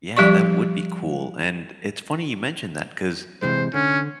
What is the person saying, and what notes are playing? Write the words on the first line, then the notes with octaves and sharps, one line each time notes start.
Yeah, that would be cool. And, it's funny you mentioned that, 'cause,
F3 G3 G4 D5 C#6
C3 E3 G#3 C5
D3 C#4